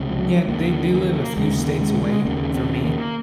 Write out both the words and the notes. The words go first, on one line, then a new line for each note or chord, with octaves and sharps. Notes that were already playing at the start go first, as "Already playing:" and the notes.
Yeah, they they live a few states away from me.
Already playing: C#2 C3
F3
F#3
D#2 C#3 A#3
A#3
D#2 C#3 G#3
A#3
G#3
G#3
D#2 C#3 A#3
C4
A#3